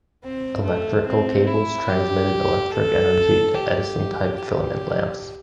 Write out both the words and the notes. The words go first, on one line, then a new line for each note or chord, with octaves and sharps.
Electrical cables transmitted electric energy to Edison-type filament lamps.
C4
A3
C4
E4
G4
A4
G4
G4